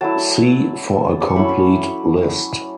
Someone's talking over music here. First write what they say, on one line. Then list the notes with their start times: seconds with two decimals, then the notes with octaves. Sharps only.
See for a complete list.
0.01 F#3 A3 E4 A5
1.20 D6
1.27 C#6
1.36 F#3 A3 C#4 E4 B5